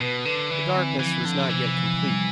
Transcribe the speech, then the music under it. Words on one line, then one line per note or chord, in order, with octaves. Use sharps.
The darkness was not yet complete.
B2 B4
D3 B4
D3 E3
C4
E3 F3
D3 F3
C3 E3
F3
G3